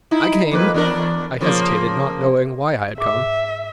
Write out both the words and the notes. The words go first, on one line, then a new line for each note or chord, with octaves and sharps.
I came,”—I hesitated, not knowing why I had come.
D#4 E4
F2 A#3 B4
E2 D4 A#4
C#3 F3 A#3
G#2 E5 D6